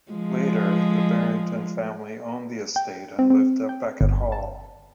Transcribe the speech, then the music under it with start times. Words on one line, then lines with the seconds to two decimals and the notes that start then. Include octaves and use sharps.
Later the Barrington family owned the estate and lived at Beckett Hall.
0.12 F3 G#3
2.76 G5
3.19 C4
3.30 C4
3.69 G5
4.01 G1
4.32 A5